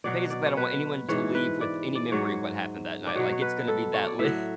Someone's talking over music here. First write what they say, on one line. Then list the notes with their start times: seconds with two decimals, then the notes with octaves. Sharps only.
basically, I don't want anyone to leave with any memory of what happened that night, like, it's gonna be that lit.
0.04 B2 F#3 D5
0.30 D5
0.46 C#5
0.57 B4
1.09 G#2 E3 C#5
1.35 B4
1.61 D5
1.95 D5
2.12 G#2 F#3 C#5
3.07 D5
3.15 B2 F#3 C#5
3.32 C#5
3.42 B4
3.68 A4
3.94 C#5
4.06 D5
4.19 A2 E5
4.24 F#3